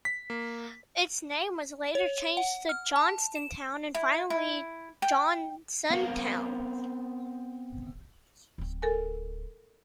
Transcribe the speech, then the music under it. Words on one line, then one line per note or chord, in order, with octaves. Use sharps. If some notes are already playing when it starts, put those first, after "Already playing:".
Its name was later changed to Johnstontown and finally Johnsontown.
B6
A#3
C#5
F#5
F6
A5
E7
E4
E4
G5
B3 C4 A#4 F5
D1 C4
A4 A#4 G#5